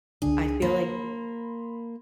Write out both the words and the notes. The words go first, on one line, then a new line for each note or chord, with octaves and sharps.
I feel like
C#2 D3 D4 G#4
A#3 B5 C6